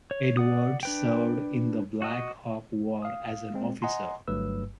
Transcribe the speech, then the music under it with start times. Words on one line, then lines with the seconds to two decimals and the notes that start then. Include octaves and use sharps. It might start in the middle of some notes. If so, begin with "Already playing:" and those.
Edwards served in the Black Hawk War as an officer.
0.11 C#5
0.37 D5 F#5 D#6
0.83 D4 B4 G5
2.02 F#4 D#5
3.02 F5 D#6
3.54 G#3 C4
3.82 D#5 F#5 G#5 A#5 C6
4.28 G1 G2 F#3 A3 B4 E6